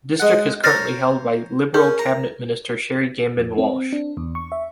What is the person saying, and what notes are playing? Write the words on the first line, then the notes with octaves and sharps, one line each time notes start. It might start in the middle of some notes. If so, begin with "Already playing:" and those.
The district is currently held by Liberal Cabinet Minister Sherry Gambin-Walsh.
G#3 F#5
C5 C#5 A#5 F6 A6 A#6
C#4 G#4 A#4 G6
A#5
F2
C4
D4
E2
C#6
E5